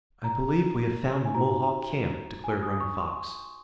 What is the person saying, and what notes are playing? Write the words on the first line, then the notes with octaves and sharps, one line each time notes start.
"I believe we have found the Mohawk camp," declared Running Fox.
A#5
G#5
D#4 F#4 C5 A#5
G#5
D#6
C#6
C6